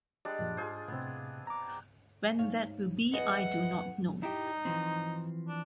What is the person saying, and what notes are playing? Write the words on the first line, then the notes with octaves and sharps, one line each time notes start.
When that will be I do not know.
G3 G#3 D4
F#2 A#2 F3
G#2 F4 G#4 C5
A2 C3 B3 C4
A#5 D6
G#2 C#5 F5
E3 G#4 B4 D#5 F#5
D#4 E4 G4
E3 F3 C4
D4